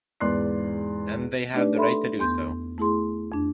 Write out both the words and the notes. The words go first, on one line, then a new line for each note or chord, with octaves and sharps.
And they have the right to do so.
E2 G#2 D5 C6 F#6 C7
A3 D4 D#4 G4 B4 D5
A4 E5 B5 C6
E2 B3 C6 G6
A3 E4 G#4 C6
F2 D4